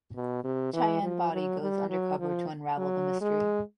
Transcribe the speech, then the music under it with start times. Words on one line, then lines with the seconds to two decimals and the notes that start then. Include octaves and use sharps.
Cheyenne Bodie goes undercover to unravel the mystery.
0.16 B2
0.44 C3
0.73 E3
1.03 F3
1.32 F#3
1.61 G3
1.90 F#3
2.19 F3
2.78 F#3
3.21 G#3